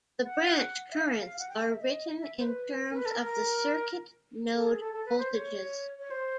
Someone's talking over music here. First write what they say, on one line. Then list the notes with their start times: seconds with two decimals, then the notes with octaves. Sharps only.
The branch currents are written in terms of the circuit node voltages.
0.22 F#5
0.91 E5
1.00 F5
1.20 F5
1.39 F#5
1.49 G5
1.69 E5
1.79 D#5
2.18 E5
2.39 C5
2.44 B4
2.91 A#4
2.96 B4
3.06 A4
3.10 A#4
3.22 A#4
4.54 A4
4.67 G#4
4.80 A4
4.93 A4
5.06 B4
5.19 C5
5.32 C#5
5.99 C#5
6.11 C5